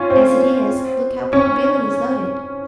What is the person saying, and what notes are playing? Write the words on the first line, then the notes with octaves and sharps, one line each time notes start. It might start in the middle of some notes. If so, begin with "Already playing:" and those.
As it is, look how poor Billy is loaded.
Already playing: C#4 F4
C4
C#4